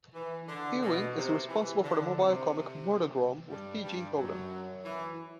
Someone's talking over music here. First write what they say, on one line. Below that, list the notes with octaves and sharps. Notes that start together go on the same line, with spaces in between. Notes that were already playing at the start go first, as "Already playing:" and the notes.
Ewing is responsible for the mobile comic "Murderdrome" with P. J. Holden.
E3
D3
B2
C3
E3
D3
C3
G2 G3
G2 G3
F#2 F#3
E3